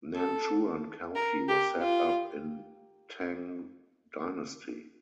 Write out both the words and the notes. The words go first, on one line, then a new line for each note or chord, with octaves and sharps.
Nanchuan county was set up in Tang Dynasty.
A4
A#4
G4
F4